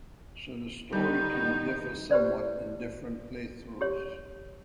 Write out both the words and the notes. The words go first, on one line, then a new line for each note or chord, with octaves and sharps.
So the story can differ somewhat in different playthroughs.
D#3 G3 B3 D#4 G6
G4 B4 C5 D5
G4 C#5